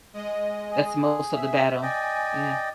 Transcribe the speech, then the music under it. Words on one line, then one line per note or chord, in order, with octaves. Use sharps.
That's most of the battle, yeah.
G#3 D#5
G#4
E5
D5 D#5 G5 G#5